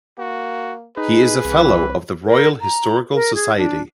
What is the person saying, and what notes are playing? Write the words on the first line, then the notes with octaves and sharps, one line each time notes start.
He is a Fellow of the Royal Historical Society.
A#3 F#4
D#4 G#4 B4
C2 E3
A#4
A#5
A#4
G#4
D4